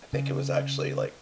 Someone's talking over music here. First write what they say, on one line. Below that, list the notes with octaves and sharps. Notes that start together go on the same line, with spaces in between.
I think it was actually, like
C#3